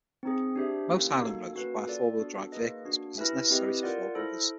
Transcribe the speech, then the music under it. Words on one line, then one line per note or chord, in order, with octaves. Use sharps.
Most highland roads require four-wheel drive vehicles, because it is necessary to ford rivers.
C4 D#4 G#4
D4 G4 C5 E5
A#3 C#4 E4 G4
A#3 D#4 F#4 A4
A#3 C#4 F#4 B4
F4 A4 D5
B3 D4 F#4 A4
A#3 D#4 G#4 B4 D#5
A#3 D4 F#4
E4 G4 B4 E5 G#5
C4 E4 G4 B4 D#5
F4 A#4 D5 F#5
E4 A4 C5